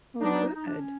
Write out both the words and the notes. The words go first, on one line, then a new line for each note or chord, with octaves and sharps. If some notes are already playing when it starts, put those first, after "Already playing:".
Oh, good.
F#3 B3 D4 D#4
D#4
D#4
D#4
D4
C#4